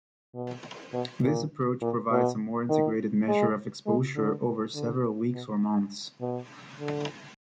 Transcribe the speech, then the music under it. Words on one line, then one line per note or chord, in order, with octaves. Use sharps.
This approach provides a more integrated measure of exposure over several weeks or months.
B2
B2
A#2
A#2
B2
D#3
G#3
G#3
D3
D3
B2
B2
D3